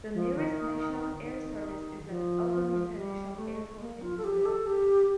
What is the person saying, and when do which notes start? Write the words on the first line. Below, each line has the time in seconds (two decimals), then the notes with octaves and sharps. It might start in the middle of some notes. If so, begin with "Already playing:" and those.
The nearest national air service is at Albany International Airport in New York.
0.14 F3
0.35 D#3
1.21 D#3
2.07 F3
2.95 G3
3.37 A3
3.80 A#3
4.02 F4
4.17 A4
4.24 G4
4.46 A4
4.67 G4